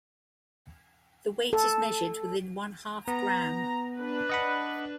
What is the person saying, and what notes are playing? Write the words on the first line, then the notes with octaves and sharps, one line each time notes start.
The weight is measured within one-half gram.
A4
B3 A#5
D4 B4
D#5 F#5 B5